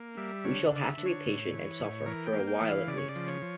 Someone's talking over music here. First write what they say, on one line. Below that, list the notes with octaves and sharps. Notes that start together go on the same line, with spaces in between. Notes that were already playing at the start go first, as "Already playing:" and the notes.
We shall have to be patient, and suffer for awhile at least.
Already playing: A#3
G3 E5
D3 C#5
D3
D5
E5
D3
C#5
A2
E3
A2
E3 A#4
G5
A#3
G5
E3
F5
C#3 D5
C#5
D5
F3
C#5
F3